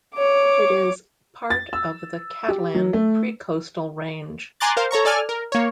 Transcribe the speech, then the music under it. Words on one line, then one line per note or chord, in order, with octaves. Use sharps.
It is part of the Catalan Pre-Coastal Range.
C#5 D6
A6
E6
G4
F#3
A3
G#5 A#5 C6 D6 F#6 A6
A#4 C5 F5
A4 C#5 A#5 C#6
A4 D5 G#5 F6
A#4
A#3 C#5